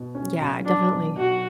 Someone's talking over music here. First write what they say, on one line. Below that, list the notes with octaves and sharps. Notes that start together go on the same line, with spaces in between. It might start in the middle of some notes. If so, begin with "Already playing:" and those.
Yeah, definitely.
Already playing: B2
C#4
B1
F#3 D4
B2
B1 F#4